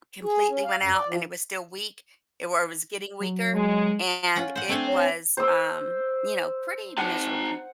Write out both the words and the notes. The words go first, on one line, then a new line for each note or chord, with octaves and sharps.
Completely went out, and it was still weak. It or, it was getting weaker, and it was, um, you know, pretty miserable.
G#4
C#4
F5
F#2
D5
F3
F#3
G#3
C#4 F4 F#5
C5 F#5
A3 C4 D4 G#5
C#5
C5 E6
D#4 F#5 A5